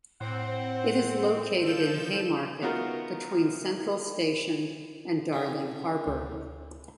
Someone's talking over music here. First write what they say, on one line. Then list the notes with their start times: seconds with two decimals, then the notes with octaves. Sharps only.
It is located in Haymarket, between Central Station and Darling Harbour.
0.21 A2 C4 C5 F#5
1.64 G2 F3 C4 A4 G6 E7
2.62 A3 B3 D#4 F4 F#4 A#4
5.33 D3 G4
6.07 D2